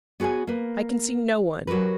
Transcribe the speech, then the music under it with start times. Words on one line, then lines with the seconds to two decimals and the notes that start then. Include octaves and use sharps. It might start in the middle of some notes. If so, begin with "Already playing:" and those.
I can see no one.
0.20 B3 F#4 G#4 C#5 G#5
0.47 A#3 B4
1.67 F#3 F#4 G4 A#4 B4